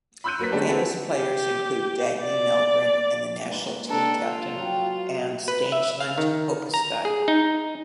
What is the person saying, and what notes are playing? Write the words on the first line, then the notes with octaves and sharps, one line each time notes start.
Famous players include Dagny Mellgren and the national team captain Ane Stangeland Horpestad.
B5 C6 E6 F#6 G6 D#7
F#3 A#3 A#4 B4 B6
D3 G#3 C#4 D4 G4 A4
C4 F#4 G#4 A4 B4
G4
D5
G#3 A#3 B4
D4 A4 G5 A#5 C#6
F4
F#3 F#5 G5
B4
E5
F5
D#3
A#5
G#4
D#4